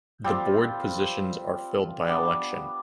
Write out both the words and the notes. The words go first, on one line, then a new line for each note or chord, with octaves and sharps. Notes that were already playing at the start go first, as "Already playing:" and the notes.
The board positions are filled by election.
G3 C4 F4 G5
G3 B3 D4